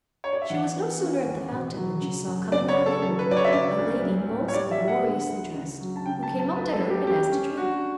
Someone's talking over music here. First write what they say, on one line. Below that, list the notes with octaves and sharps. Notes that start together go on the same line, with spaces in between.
She was no sooner at the fountain, than she saw coming out of the wood a lady most gloriously dressed, who came up to her, and asked to drink.
C#5
D5
E5
E3 F#5
B3
C#4
E2
B2
F#3
C#3
F#2
C#3 D5
C#5
C#3
A4
F#3 A4
B4
F#3 D5
C#5
E5
C#3 D5
D2
B1
A2
C#5
G3 D5
E5
G3
F#5
D3
D2
C#3
F#3
A5
C#3 G5
A5
F#2
A5
D2 B4
A4
D2
G4
C#4 G4
C#4
D4 F#4